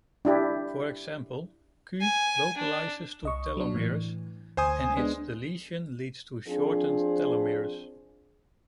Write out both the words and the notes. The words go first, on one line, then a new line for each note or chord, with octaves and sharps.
For example, Ku localizes to telomeres and its deletion leads to shortened telomeres.
D4 E4 G4
G#5
D4
C2 D#5 C#6
F#3 D4
A2 E3
D2 C5 G#5 D#6
G#3 B3 D4
F3 C4 D4 G#4